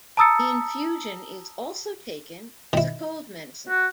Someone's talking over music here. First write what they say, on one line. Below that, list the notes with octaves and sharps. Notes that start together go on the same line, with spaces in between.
The infusion is also taken as a cold medicine.
A5 A#5 D#6 E6 A6 C#7
D#3 E4
F#4